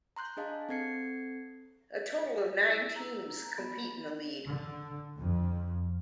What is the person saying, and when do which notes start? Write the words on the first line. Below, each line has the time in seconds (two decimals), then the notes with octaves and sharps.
A total of nine teams compete in the league.
0.16 A#5 C6 F#6 G6
0.37 D4 G#4 D#5 F5 A5
0.69 C4 A4 G#6 C7 C#7
2.68 E4
2.96 E4 A#5
3.58 B3 B5
4.48 D3
5.18 F2